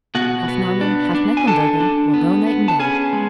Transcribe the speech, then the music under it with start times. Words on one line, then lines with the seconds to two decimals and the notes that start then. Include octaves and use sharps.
"Half Norman, half Mecklenburger; will go night and day."
0.15 B2 F#4 F#5
0.48 B3
0.81 D4
1.15 D4
1.37 G#5
1.47 D4 A4 A5
1.80 D4
2.14 B3
2.47 B3
2.68 A5
2.79 C#4 G#4 G#5
3.13 G#3